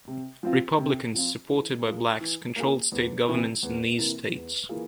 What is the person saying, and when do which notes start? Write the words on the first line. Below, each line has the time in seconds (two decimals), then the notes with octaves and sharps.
Republicans supported by blacks controlled state governments in these states.
0.07 C3
0.43 F3 C4 F4
0.79 C3
1.14 F3 C4 F4
1.50 E3
1.85 A#3 F4 G#4
2.21 E3
2.56 A#3 F4 G#4
2.92 E2
3.27 C3 E3 A#3 E4
3.63 E2
3.98 C3 E3 A#3 E4
4.34 E2
4.69 E3 A#3 F4 G#4